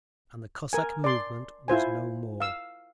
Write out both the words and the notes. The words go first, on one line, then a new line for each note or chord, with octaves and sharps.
And the Cossack movement was no more....
A#4 G#5
D5 C6
E4 F4 C5 G#5
F5 E6